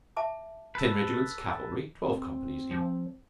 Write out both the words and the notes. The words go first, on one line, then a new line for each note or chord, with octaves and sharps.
Ten regiments cavalry, twelve companies each.
E5 A5 D6
A4 B4
C4
F3